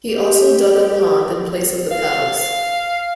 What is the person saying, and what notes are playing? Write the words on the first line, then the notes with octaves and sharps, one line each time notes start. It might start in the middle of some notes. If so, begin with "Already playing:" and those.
He also dug a pond in place of the palace.
G4
F5